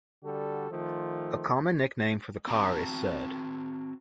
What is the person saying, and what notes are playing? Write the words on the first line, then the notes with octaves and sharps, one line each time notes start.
A common nickname for the car is "'Sud".
D3 G3 F#4 A4
D#3 F3 A3 F4
C4 F#4 A5 A#5